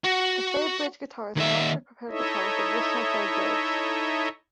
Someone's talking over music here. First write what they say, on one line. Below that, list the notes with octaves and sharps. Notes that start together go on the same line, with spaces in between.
The third-bridge guitar is an electric prepared guitar with an additional, third bridge.
F#4
D#2 E5
D#4 E4 A4 C#5 D#5 E5